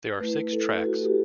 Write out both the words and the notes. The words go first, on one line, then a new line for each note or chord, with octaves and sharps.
There are six tracks.
A3 E4 B4
A4
F#4
A4
G4